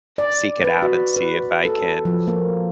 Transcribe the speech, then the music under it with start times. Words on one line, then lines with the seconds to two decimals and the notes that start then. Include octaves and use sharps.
seek it out and see if I can
0.18 D5
0.64 B4
0.82 F#4
1.16 B4
1.65 A4
2.05 F3
2.27 A#3